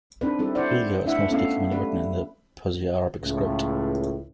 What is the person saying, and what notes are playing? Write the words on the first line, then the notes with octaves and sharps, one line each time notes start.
Uyghur is most commonly written in a Perseo-Arabic script.
C4 D4 D#4 B4
G3 C4 E4 A4
E4 C5 D5 F#5
A3 D4 E4 E5 F#5
A3 B3 C#4 E4 A4 F5
G3 A3 B4
C#2 A2